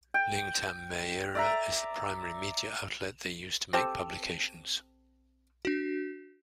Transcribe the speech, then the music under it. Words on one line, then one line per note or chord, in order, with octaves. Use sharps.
Ningtam Meira is the primary media outlet they use to make publications.
G5
D5 E5 A#5
C4 G4 A4
D4 F#4